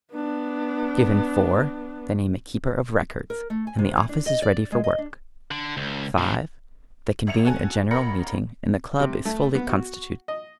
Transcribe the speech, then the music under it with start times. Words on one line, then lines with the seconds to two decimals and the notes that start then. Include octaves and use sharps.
Given four, they name a keeper of records, and the office is ready for work; five, they convene a general meeting, and the club is fully constituted.
0.14 B3 D4
3.30 A#4
3.50 A3
3.67 G#5
3.79 C3
3.96 E3
4.09 D4
4.26 D#5
4.42 D5
4.72 G#3
4.84 D#5
4.98 D4
5.51 D3
5.77 C#2
6.18 A#2 F3
7.27 G#1 E5 C#7 F7
7.45 F#4 A4 G#5
7.91 A1 A#4 B5 A#6 C#7
9.00 C3
9.25 A3
9.55 B3
9.69 F#4
10.28 D#5